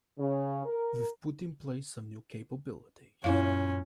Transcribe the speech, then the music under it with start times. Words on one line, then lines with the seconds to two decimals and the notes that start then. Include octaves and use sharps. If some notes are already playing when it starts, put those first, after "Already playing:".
We’ve put in place some new capabilities.
0.18 C#3
0.65 A#4
3.24 F#2 A#2 C#4 E4 F5